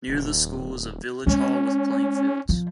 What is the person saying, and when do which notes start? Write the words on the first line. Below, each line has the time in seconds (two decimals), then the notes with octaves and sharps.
Near the school is a village hall with playing fields.
0.08 D#1
1.26 G#3 C4 C#4
2.49 F3